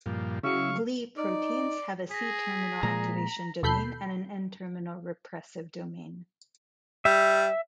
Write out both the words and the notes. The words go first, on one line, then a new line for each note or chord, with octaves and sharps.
Gli proteins have a C-terminal activation domain and an N-terminal repressive domain.
G2 A#2 F3
C#3 F#3 E4 F5 C#6
D#4 D5
G#4 A#6 B6
A#2 F3 G#3 A#5
D#2 B2 A4 B5 G6 C7
G3 E5